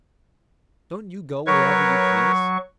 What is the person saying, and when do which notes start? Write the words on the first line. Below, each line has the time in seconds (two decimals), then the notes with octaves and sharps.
"Don't you go wherever you please?"
1.47 F#3 A#4 B4 C#5 C#6